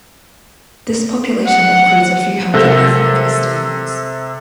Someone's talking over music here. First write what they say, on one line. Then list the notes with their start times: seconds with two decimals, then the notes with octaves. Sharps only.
This population includes a few hundred ethnic Estonians.
1.46 F#5
2.54 C3 G#3 A4 A#4 A#6